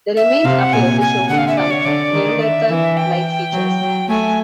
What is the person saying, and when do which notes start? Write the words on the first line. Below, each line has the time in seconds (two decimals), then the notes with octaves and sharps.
The remains appear to show some Neanderthal-like features.
0.17 E5
0.44 C3 F5
0.59 F#5
0.73 A#2 G#5
1.01 G#5
1.29 D3 F#5
1.38 F5
1.48 E5
1.57 D5
1.70 C#5
1.85 D3 D5
2.13 D#3
2.41 E5
2.69 E3
2.97 G5
3.53 F#3
3.81 F#3
4.09 A3 G#5